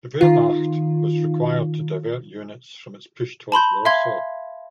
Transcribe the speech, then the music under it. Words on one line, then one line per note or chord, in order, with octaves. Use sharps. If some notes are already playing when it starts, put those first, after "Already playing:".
The Wehrmacht was required to divert units from its push towards Warsaw.
D#3 F4
A5 B5 C6 G6
E5 F5 C6 G#6